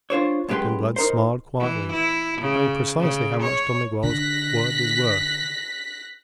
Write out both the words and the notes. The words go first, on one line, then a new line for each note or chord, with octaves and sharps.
Captain Blood smiled quietly, knowing precisely how much Don Miguel's word was worth.
D4 F4 C5 C#5
F#2 G#3 G4 B4 G5 C6
D#4 A#4 C5
E3
E4
C#3
C#3
C#5
D3 F#6 A#6 B6